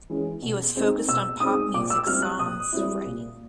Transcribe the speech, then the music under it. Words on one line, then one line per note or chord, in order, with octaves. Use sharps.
He was focused on pop music songs writing.
E3 G#3 C#4
B2
G#3 C4 D#4
B2 E6
G#3 C4 D#4 D#6
A#2 D6
E6
G3 C4 E4 F6
F#6
A#2 D#6
G3 C4 E4
A#2